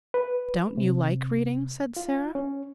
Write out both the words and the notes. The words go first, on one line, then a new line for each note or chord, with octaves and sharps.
"Don't you like reading?" said Sara.
B4
C3
F4
C#4